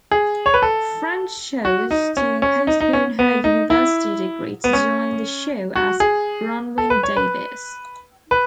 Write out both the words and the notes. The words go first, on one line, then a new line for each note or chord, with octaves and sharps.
Friend chose to postpone her university degree to join the show as Bronwyn Davies.
G#4
C#5
B4
A4
F#4
D#4
C#4
C#4
D#4
D#4
C#4
B3
D#4
E4
B3
C#4
F#4
G#4
A4
B4
C#5
B4
B4